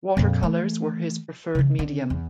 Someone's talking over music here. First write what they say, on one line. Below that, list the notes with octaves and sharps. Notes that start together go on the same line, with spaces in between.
Watercolors were his preferred medium.
F2 A#2
E3 A3
C#3 E3
D3
E2